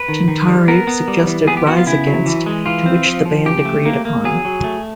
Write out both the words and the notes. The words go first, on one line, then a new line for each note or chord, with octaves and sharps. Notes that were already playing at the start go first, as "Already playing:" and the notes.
Tintari suggested Rise Against, to which the band agreed upon.
Already playing: B4
D#3
D#3
G3
B3 A#4
B3
G3
E3
B3 G#4
G4
B3 F#4
F4
C#3 E4
F#3
E3
G#3
E3 F4
C4
F3
F3
C#3 G4
A3
A#3
A#3
F#3 G#4
F#3
A3